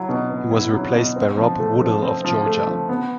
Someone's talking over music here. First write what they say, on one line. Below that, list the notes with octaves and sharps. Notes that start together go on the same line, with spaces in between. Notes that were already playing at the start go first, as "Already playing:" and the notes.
He was replaced by Rob Woodall of Georgia.
Already playing: F#3 E4
B2
B3
E4
F#3
B2
C4
F3
A3
F3
C4
F3
A3
F3
B3